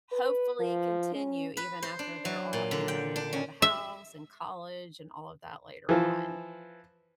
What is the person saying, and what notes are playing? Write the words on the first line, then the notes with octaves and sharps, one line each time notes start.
hopefully continue even after they're all, you know, moved out of the house and college and all of that later on.
B4
F3
C#4
B4
C5
D4
F#3
A#2
D3
G5
D4
C#4
E5
E3 F3